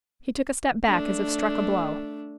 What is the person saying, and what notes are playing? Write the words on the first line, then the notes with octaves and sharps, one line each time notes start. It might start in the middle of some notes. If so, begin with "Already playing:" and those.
He took a step back as if struck a blow.
A3 D4